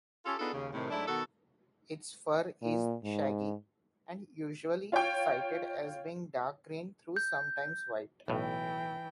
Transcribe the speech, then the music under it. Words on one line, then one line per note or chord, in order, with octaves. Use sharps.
Its fur is shaggy, and usually cited as being dark green though sometimes white.
C#4 F4 G4 A4
B3 D4 D#4 F4 G#4 A4
D#2 C#3
A2 C3 D#3
G#2 F#3 A3 D4 E4
B2 D#3 B3 F#4 A4
A#2
G#2
F4 C#5 F5 G5
G6
B1 A2 E3 G5